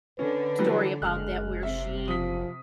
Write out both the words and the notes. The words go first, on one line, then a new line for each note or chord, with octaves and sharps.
story about that where she
D3 C#4 B4
E3 F#3 G3 D4
F#1 G#3 F6 F#6
C3 E5
F3 D#6 B6